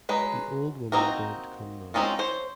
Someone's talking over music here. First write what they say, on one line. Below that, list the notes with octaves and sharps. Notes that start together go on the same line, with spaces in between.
The old woman daren’t come now.
F#3 G#3 B4
A#3 C4 D#4 F#4 A#4
G#3 C4 C#4 D#4 F4
C5 C#5